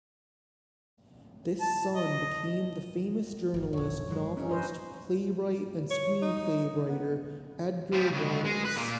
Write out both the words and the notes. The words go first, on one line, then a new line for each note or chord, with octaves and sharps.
This son became the famous journalist, novelist, playwright and screenplay writer Edgar Wallace.
A5
D#5
G1
E1 A#1 C#5
G2 F#3 G#3
G2 C#4 D#4
B4 C5 D#5
C#5
D#4
B3
F3 G3
C#2
G#3
B4
A#2 A#3